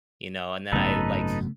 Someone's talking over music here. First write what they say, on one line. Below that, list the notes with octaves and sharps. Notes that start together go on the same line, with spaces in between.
you know, and then I, like
G#1 F#2 C#3 A3 B3 D#4 A4 B4